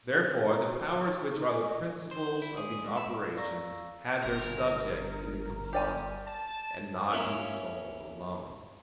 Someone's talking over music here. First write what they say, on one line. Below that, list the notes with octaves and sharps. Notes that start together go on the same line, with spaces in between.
Therefore the powers which are the principles of these operations have their subject in the composite, and not in the soul alone.
C5
A#5
F#4
G4
D#4
G#5
D#5
C5
E4
G#4
G#2
E5
D5 F5 A#5 C#6 E6 A#6
G1 A#4
G4 D5 G#5
A5
A#3 C#4 E4 C#5